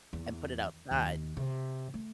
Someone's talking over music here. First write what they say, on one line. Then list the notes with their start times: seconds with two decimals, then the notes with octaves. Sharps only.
and put it outside,
0.13 E2
0.91 D#2
1.37 C3
1.94 A3